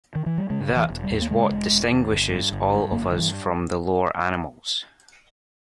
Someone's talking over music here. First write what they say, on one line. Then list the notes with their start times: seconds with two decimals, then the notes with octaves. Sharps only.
That is what distinguishes all of us from the lower animals.
0.15 D#3
0.26 E3
0.38 G3
0.50 C#3 G#3
0.69 E1
0.76 E3
0.90 E1
1.03 G3
1.10 D#2
1.22 A#3
1.30 C#3 G#3
1.51 E1
1.70 E1
1.92 D#2
2.12 G1
2.32 G2
2.52 G1
2.72 G2
2.92 G1 A#3
3.12 G2 D#3
3.19 E3